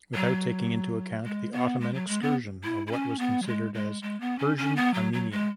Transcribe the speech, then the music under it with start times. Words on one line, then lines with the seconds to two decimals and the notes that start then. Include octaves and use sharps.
Without taking in account the Ottoman excursion of what was considered as Persian Armenia.
0.15 F#3
1.25 G#3
1.53 B3
1.81 G#3
1.94 F#3
2.08 G#3
2.22 B3
2.64 E4
2.87 E4
2.92 C#4
3.19 B3
3.42 F#3
3.47 G#3
3.74 G#3
4.02 G#3
4.21 B3
4.39 C#4
4.58 C#4
4.76 B3
4.94 F#3
5.13 F#3
5.31 G#3